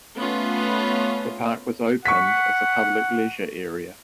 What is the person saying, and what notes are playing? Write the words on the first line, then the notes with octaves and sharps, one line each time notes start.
The park was opened as a public leisure area.
A3 B3 C#4 F4
F#5 C#6 B6